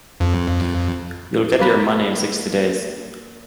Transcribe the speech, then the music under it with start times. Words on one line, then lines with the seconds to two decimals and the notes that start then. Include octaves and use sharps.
You'll get your money in sixty days.
0.20 F2
1.59 A#3 B4